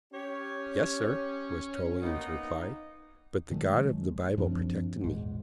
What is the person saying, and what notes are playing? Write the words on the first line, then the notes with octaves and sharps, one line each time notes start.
"Yes, sir," was Toline's reply; "but the God of the Bible protected me."
C#4 G4 C#5
A#3 B3 D#4
D#3 F#3 G#3 A3
F#2 F3 C4 D4
A#1 E2 G#2